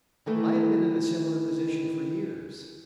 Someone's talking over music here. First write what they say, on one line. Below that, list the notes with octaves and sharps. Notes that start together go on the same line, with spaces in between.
I have been in a similar position for years.
D#3 E3 A3 E4